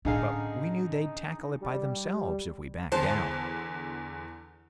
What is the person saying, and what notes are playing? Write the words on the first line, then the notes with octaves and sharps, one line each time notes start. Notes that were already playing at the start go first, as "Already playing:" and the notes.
But we knew they'd tackle it by themselves if we backed out.
A2 D3 C#4 D#4 G#4 F5
G3
E2 D3 C5 A5 C6